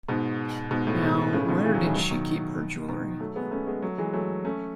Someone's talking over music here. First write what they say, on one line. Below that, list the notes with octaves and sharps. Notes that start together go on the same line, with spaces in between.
Now, where did she keep her jewellery?
G#2 B2
G#2 B2
A2
G#2 B2
A2 C#3
B2 D#3
C#3 E3
D#3 F#3
E3 G#3
D#3 F#3
B2 D#3
B2 D#3
F#3 A3
G#3 B3
A3 C#4
G#3 B3
F#3 A3
E3 G#3
F#3 A3
A3 C#4